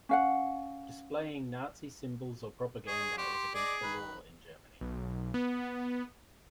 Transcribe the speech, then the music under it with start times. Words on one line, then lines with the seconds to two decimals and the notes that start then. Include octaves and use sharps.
Displaying Nazi symbols or propaganda is against the law in Germany.
0.09 C#4 F5 F#5
2.88 G#3 G#4 C#5 D#6
3.18 F#4 G4 D5 C6
3.33 C6
3.54 G#4 D5 D#5 D6
3.83 D#3 B4
4.81 B1
5.34 B3